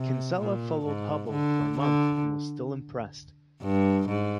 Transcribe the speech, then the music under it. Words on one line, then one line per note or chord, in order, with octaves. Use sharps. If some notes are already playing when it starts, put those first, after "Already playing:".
Kinsella followed Hubbell for a month and was still impressed.
Already playing: C3
A#2
G#2
D3
D3
G2
G#2